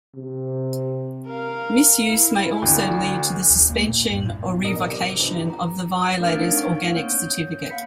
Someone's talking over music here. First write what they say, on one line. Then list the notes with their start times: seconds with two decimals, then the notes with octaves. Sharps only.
Misuse may also lead to the suspension or revocation of the violator's organic certificate.
0.15 C3
1.27 A#4 F5
2.11 E4
2.62 D2
3.51 D#1
3.70 A#3
3.88 A#2
4.10 G2
4.26 A2
4.46 B1
4.64 D4 A#4 D#5
4.83 C3
5.19 E2 D3 F3
5.50 A#5
6.19 A3 D4 A#4 C#5 F6
6.35 C4 D#4 F5 G#6 A6 D7
6.56 F#5 C#6 D7
6.93 A#3 C#5 G6
7.69 F5 F#5 B5 B6 C#7